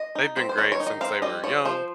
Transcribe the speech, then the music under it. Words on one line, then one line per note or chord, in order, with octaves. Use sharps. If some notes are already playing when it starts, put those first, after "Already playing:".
they've been great since they were young
Already playing: D#5
D#4
C4
C5
D#3 C#5
C#5
D#4
D#5
C4 F5
G3 D#5
F3 C#5
F3 C5